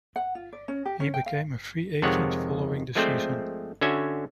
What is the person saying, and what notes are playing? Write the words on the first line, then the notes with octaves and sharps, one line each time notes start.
He became a free agent following the season.
F#5
F4
D5
C#4
G4
C#4
G5
F5
F2 C3 D#3 G#3 C#5 F#5
F3 G#3 A3 C4 C5 D5
D3 C#4 F#4 E5 G#5